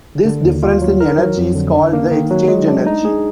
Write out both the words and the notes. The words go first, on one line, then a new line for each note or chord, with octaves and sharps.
This difference in energy is called the exchange energy.
D3
D#2
F4
F#3
A#4
F#3
F2
D3
D4
A#3
D#3
F#3
G#3
D4
D#4
G#4